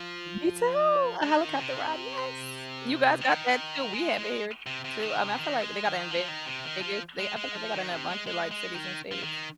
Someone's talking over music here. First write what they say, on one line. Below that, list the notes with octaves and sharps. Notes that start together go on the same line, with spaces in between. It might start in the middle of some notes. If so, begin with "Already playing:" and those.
Me too! A helicopter ride, yes! You guys got that too. We have it here too, um, I feel like they got it in Vegas. They I feel like they got in a bunch of, like, cities and states.
Already playing: F3
G#3
D#3
C3
D#3
G#3
G#3
C3
C3
D#3
C3
D#3
G#3
D#3
F3
D#3
C3
D#3
F3
G#3
G#3
F3
D#3
C3
G#3
G#3
G#3
D#3
F3
D#3